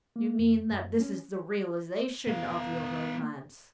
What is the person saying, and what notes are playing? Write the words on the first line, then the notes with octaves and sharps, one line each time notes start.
"You mean that this is the realization of your romance."
A#3
F2
F#2
C#4
B3 F5